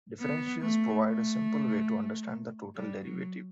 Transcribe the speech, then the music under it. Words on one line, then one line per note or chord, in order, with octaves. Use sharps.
Differentials provide a simple way to understand the total derivative.
B3
A3
A3
G3
F#3